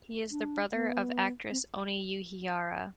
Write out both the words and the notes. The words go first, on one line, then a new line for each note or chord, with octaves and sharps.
He is the brother of actress Ony Uhiara.
D4
B3
C4